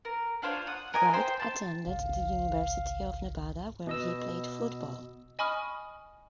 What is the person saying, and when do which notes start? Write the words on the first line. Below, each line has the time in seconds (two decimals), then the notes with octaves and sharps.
Wright attended the University of Nevada where he played football.
0.05 A#4
0.42 D4 F4 C5 C#5
0.67 F#5 D#6
0.94 A#4 D#5 G#5
1.13 C5 G5 C6
1.40 A5
1.87 G#1 C#2 F5
3.87 B2 D#5 E6
5.39 D#5 G#5 B5 C#6 D#6 F6